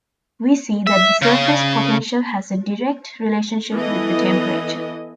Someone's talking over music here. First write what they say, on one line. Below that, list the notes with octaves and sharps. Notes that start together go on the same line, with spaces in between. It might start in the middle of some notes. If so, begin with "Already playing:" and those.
We see that the surface potential has a direct relationship with the temperature.
E5
C#3
E3 B3 E4 A4 D#5